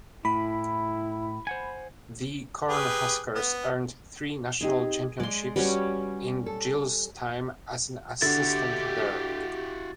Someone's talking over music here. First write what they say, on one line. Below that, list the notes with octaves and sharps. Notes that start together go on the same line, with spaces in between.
The Cornhuskers earned three national championships in Gill's time as an assistant there.
A2 E4 B5
C5 F#5 G#5
G4 G#4 B4
B3
C4 D#4 G4 G#4
G#3 D5 C6
G3 C#4 F#4 B4
A4
D3 E4 F#4 G4 A6